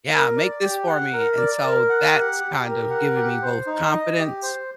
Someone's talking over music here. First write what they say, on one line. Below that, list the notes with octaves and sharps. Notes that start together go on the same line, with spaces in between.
Yeah, "Make this for me," and so that's kind of giving me both confidence
A#4
D5
G4
F#5
A#4
D5
A#4
F#5
G4
G4
A#4
F#5
G4
C5
D#4
D#5
G4
C5